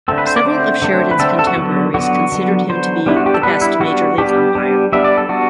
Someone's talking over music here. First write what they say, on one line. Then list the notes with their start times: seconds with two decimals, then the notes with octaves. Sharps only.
Several of Sheridan's contemporaries considered him to be the best major league umpire.
0.08 D3 A3 C4 A4
0.18 B4
0.27 C5
0.36 D5
0.45 D3 A3 C4 C5
0.82 D3 A3 C4
1.11 B4
1.19 D3 A3 C4 A4
1.39 A4
1.47 F#4
1.57 D3 F#3 B3
1.94 D3 F#3 B3 F#4
2.32 D3 F#3 B3
2.69 D3 F#3 B3 C5
3.06 G3 B3 D4 E4
3.17 F#4
3.26 G4
3.34 A4
3.43 G3 B3 D4 B4
3.62 E4
3.80 G3 B3 D4 F#4
4.18 G3 B3 D4 G4
4.55 G3 B3 D4
4.92 G3 B3 D4 E5
5.04 D5
5.17 A4
5.29 G3 B3 D4 F#4